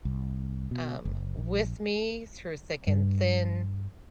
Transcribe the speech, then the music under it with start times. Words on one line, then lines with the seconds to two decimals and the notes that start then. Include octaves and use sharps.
um, with me through thick and thin,
0.05 C2
0.71 B2
1.05 F#1
1.37 A#1
2.87 G2